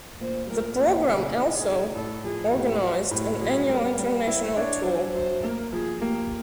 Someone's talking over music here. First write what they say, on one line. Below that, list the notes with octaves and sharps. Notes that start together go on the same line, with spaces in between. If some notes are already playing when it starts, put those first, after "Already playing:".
The program also organised an annual international tour.
A#2 C5
A#2 A#4
A#2
C#3
D#4
G#4
D#4
A2 A4
F3 G#4
A2 G4
F#3 F#4
A2 G4
F#3 G#4
G3 A#4
G3
E4 C5
D4 C#5
F#3 C5
F#3 C5
A#3 A#4
F3 G#4
A#3 G4